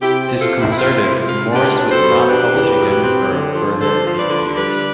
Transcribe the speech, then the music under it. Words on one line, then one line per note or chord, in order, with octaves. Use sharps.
Disconcerted, Morris would not publish again for a further eight years.
C3 E4 G4
C4
F4 A4
C4
E4 G4
E4
C4 F4
C3 E4
C3 F4
D4 G4 B4
B2
A4 C5
B2
D4 G4 B4
E2
B2
C4
D3
F3
D3 A4 C5
F3
B4 D5
D3
G3 B4 D5